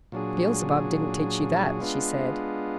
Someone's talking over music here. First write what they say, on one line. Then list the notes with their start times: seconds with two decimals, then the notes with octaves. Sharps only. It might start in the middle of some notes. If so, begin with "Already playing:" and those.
'Beelzebub didn't teach you that,' she said.
0.12 A#2 F#3 D4 G#4
1.81 G#3 B3 D4 F4